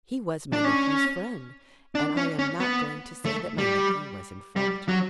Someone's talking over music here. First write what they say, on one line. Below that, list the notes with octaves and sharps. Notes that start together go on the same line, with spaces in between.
He was my nephew's friend, and I am not going to say that my nephew was in fault.
D4
C#4
D4
C#4
C#4
B3
A3
G3
G3
F#3